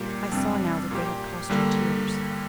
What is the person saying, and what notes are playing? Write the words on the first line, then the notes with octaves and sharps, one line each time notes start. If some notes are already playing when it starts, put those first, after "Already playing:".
I saw now that they had cost her tears.
Already playing: A#2 G3 A#3 G4
F2 C3 G3 D4
A#2 A#3 G4
G2 D3 G3 A#3